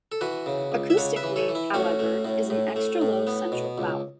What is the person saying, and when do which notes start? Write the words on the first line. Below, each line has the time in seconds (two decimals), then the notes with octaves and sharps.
Acoustically, however, is an extra-low central vowel.
0.12 A4
0.21 E3 F#4 B4
0.46 C#3
0.72 C#2
0.90 E5
0.97 C#3 C#5 F#5
1.16 B4 E5
1.23 E3
1.36 A4 C#5
1.49 E3
1.55 E4
1.74 A3 C#4 F#4
1.99 A3
2.25 A2
2.50 A2
2.76 A3
3.01 A2
3.27 B3
3.52 B2
3.78 C#2